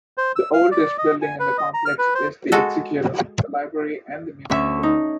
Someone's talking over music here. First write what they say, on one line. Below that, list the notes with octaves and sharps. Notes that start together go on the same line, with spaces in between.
The oldest building in the complex is the Executive, Library and Museum Building.
C5
E6
F5
D5
D#5
G#5
B4
D#5
A#5
F6
B4
C5
G#3 F#4 A4
D2 C#4 E5 C#6
D#4